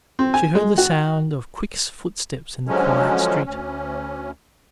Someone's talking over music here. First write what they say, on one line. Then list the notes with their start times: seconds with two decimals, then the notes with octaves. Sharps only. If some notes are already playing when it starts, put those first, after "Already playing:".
She heard the sound of quick footsteps in the quiet street.
0.19 C4
0.34 G#5
0.55 G#3
0.78 F#4
2.67 D3 F3 F#3 G#3 C#4
3.45 D2 C#4